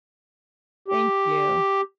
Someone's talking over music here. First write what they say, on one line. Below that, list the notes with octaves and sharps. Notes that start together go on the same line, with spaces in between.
Thank you.
G4